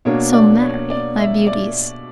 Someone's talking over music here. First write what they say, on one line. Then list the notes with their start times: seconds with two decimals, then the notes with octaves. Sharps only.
So, marry, my beauties.
0.05 B2 A#3 D4 C#5
0.33 D5
0.62 C#5
0.90 D5
1.18 E5
1.47 D5